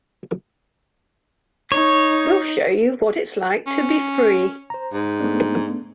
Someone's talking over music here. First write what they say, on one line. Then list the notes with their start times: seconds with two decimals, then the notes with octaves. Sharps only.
We'll show you what it's like to be free.
1.72 D#4 C#5
3.67 C#4
4.70 C5 A#5
4.94 G#2
5.20 A3 B3 D4